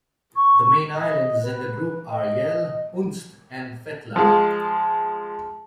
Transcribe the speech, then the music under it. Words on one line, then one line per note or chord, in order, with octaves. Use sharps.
The main islands in the group are Yell, Unst and Fetlar.
C#6
D#5
B4
D#5
F3 G#3